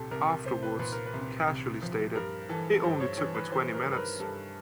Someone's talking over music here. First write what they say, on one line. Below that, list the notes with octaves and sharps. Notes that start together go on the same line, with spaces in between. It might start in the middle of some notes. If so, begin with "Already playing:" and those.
Afterwards he casually stated "it only took me twenty minutes".
Already playing: C2 A#2 G4 A4
C2 A#4
C2 C5
B4
A#2 B4
A#4
B4
C2
C2
F3
G2 A#4
E3 A4
G2 C5
C#5
E3 C#5
B4
E3 C5
A#4
G2
B4
A#4
G2 A4